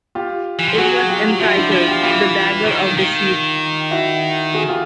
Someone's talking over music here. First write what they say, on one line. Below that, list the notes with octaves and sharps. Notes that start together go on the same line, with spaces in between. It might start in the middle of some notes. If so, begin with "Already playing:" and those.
It was entitled "The Dagger of Deceit".
F4 G4
E3
F3
F#3 F#4 G#4
F4 G4
F3 E4 F#4
D4 E4
F3
F4 G4
E3 F4 G4
D#3
D#3
E4 F#4
F#4 G#4
F4 G4